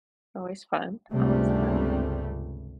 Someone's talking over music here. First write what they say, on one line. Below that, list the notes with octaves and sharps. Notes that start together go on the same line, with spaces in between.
Always fun, always fun.
G1 C#2 C3 G3 A3